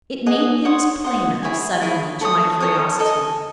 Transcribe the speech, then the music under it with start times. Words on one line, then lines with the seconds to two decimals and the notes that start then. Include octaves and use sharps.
It made things plainer, suddenly, to my curiosity.
0.26 G#4 D#5 F#5
0.65 C#5 F#5 C6 D#6
1.04 C#5 F#5 C6 D#6
1.43 E4 G#4 C#5 G#5
1.82 E4 G#4 C#5 G#5
2.21 A4 C#5 G#5 D#6
2.60 A4 C#5 G#5 D#6
2.99 A4 D#5 G#5